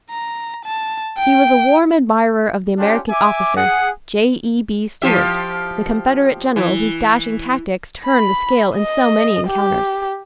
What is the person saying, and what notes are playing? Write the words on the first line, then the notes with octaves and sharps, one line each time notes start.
He was a warm admirer of the American officer, J. E. B. Stuart, the Confederate General whose dashing tactics turned the scale in so many encounters.
A#5
A5
G5
C#4 D4 F4 G4
E5 G#5 D6
G#4 F#5
F3 G4 E5
E3
B5
D#5
G4